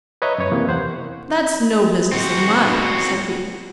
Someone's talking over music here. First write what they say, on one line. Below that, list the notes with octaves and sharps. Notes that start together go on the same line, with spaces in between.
"That's no business of mine," said he.
B4 C#5 D#5 E5 A#5
F#2 C#5
C3 E3 A#3
E2 C5 F#5
C4 F#4